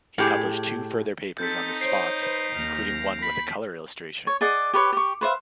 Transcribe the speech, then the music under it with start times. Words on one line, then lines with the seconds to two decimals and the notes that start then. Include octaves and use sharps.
He published two further papers on the spots, including one with a colour illustration.
0.18 A2 G4 G#4
1.38 C4 D#4 A4 G6 A6 B6
1.81 C5 C#5 C7 D7
2.20 B4 C5
2.52 D#2 F6 A#6
3.23 B5 B6
4.27 C#5
4.41 G#4 D5 D#5 F#5
4.74 G4 B4 C#5
4.93 G4 C#6
5.21 B4 C5 E5 F5